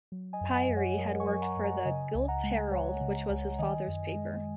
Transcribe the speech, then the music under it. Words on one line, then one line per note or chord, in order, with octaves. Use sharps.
Pirie had worked for the "Guelph Herald" which was his father's paper.
F#3
D#5 G#5
F#2
D#5 G#5
F#2
C#5 F#5
F#3 A#4 D#5
G#5 C#6
F#3
F#5 A#5
F#2
F#5 A#5
C#3 D#5 G#5
C#2
F#5 A#5
G#3
C#2 C#5 F#5
C#3
C#2
D#3 D#5 G#5
F#2
G#3